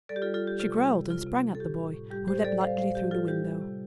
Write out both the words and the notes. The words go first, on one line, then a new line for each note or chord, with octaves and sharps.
She growled and sprang at the boy, who leapt lightly through the window.
G3 A4 D5
G4
F4 A4
G3
F4 A4
G3 G4
C3 F4 A4
G3
C3
C3 F4
C3
C3
A4
A2 G4
A2
A2
G3 G4
A2 G4 C5
G3 A4 D5
G3 C5 F5
A2 C5 F5
G3 G4
G3 F4 A4
G3 G4
G3
C3